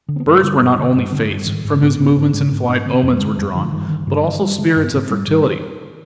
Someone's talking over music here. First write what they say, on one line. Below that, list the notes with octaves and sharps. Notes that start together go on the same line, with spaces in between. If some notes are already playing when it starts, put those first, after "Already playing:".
Birds were not only fates, from whose movements in flight omens were drawn, but also spirits of fertility.
D3
C4
B3
G2
G#3
D3 G3
G2
D3
G2
D3
G2
G#2 D#3
G#2 G#3
G#2 B3
G#2 B3
G#2 C4
G#2 D4
G#2 C4
G#2 D4
D3 C4
F2 B3
G3
D3 G#3
F2 G3
D3 F3
G2 D#3
D3 D#3
G2 D3
D3 D#3
G2 G3
D3 G#3
G2
B3
G#2 C4
G#2 G3
G#2 G3